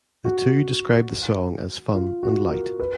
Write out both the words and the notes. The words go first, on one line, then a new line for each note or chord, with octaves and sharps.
The two described the song as "fun and light".
F#4
F4
F#4
A#4
B4